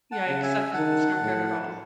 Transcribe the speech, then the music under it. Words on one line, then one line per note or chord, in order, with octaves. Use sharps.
Yikes, that doesn't sound good at all.
F#5 A5
C#3
E5 G#5
D#3 F#5 A5
A2